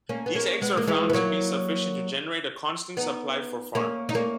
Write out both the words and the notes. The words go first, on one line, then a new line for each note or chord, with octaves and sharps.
These eggs were found to be sufficient to generate a constant supply for farms.
A#3 C#4
B3
A#3 C#4
G#3 B3
A#3
E3 G#3
B3
F#3 A#3
B3 D#4
A#3 C#4
D#4
A#3 C#4